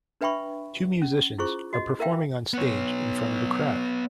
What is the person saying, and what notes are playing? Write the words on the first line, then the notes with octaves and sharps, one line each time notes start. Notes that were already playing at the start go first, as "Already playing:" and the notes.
Two musicians are performing on stage in front of a crowd.
D4 B4 E5 G5 B5 C#6
C#4
E4 F4 G#4 C5 C#6
F#4 D#5
E4 A#4 E5 F5 G5
B3 C#5